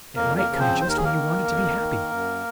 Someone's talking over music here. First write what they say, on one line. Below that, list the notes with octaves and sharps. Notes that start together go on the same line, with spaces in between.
"It might come just when you wanted to be happy!"
F2 A#3 A#4
A#3 A#4
C#3 F3
C4 C5
D#2 C5
A#4
G#4
A#3 A#4
D#3
F2
D#3
F#2